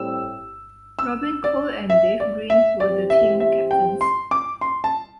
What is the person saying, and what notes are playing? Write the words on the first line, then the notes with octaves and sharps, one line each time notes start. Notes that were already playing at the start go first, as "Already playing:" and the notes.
Robin Cole and Dave Green were the team captains.
Already playing: A2 G3 C4 E4 G4 E6
E6
D5
E5
D5
E5
E3 C4 G4 D5
E5
E5
G5
C6
D6
C6
A5